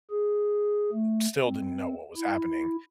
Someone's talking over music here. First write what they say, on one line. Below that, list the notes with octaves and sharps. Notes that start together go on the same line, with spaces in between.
still didn't know what was happening.
G#4
A3
C4
E4